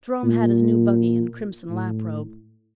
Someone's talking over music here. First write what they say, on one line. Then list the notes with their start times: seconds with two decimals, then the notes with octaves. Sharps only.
Jerome had his new buggy and crimson lap robe.
0.23 A#2
1.70 A2